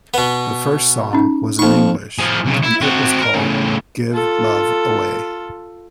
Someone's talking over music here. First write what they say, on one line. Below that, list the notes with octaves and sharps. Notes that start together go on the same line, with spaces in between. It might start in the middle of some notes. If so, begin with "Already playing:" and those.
The first song was in English, and it was called "Give Love Away".
B2 B3
C#4 D#4
F2 A#3 D#4 C#6
F3 G#4
B1 C#3
E4
C4 F#4
A#4
A2 C#3
F4 A4